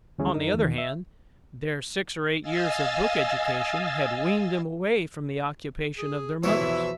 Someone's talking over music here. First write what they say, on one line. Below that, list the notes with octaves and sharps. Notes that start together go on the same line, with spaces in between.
On the other hand, their six or eight years of book education had weaned them away from the occupation of their mothers.
D2 E3 G3 C#4 E4 G#4
F#2 D#4 A#4
E2 D#3
E5
D#5 F5 G#5 E6 A6
G#4
E2 B2 E3 F3 E4 C#5 E5 E6